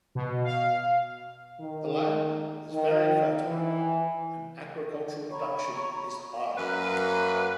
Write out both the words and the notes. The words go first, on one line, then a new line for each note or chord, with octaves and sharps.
The land is very fertile and agricultural production is high.
B2
F5
D#3
D#3
E3
C#5 A#5 B5 C#6
F#2 F#3 A#3 B4